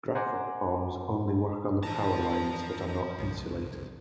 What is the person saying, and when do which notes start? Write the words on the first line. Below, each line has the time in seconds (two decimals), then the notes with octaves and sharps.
Graphite bombs only work on power lines that are not insulated.
0.15 C5 F#5 G#5 A#5 C6 D6
1.83 E3 F3 A5 A#5
3.18 C2